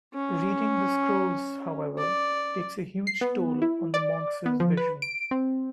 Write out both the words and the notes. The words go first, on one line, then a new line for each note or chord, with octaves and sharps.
Reading the Scrolls, however, takes a huge toll on the monks' vision.
C#4
D5
C7
B3
E4
D5
B3
F3
B4
D7
C4